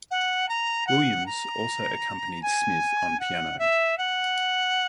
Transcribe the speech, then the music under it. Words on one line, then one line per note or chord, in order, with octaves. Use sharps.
Williams also accompanied Smith on piano.
F#5
A#5
F#5
A#5
G#5
F#5
E5
F#5